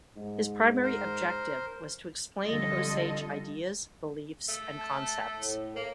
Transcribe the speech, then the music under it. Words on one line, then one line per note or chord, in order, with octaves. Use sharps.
His primary objective was to explain Osage ideas, beliefs, and concepts.
G#2
A#4 C5
F2 D3 G3 F4 A4 D#5
A3
A5
A2
A#3